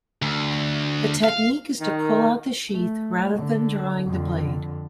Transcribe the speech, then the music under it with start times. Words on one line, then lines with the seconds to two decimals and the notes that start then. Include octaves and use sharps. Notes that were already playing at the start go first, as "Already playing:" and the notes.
The technique is to pull out the sheath rather than drawing the blade.
0.22 D2
1.24 F5
1.80 D#3
2.70 A3
3.36 D3
4.06 F2 D3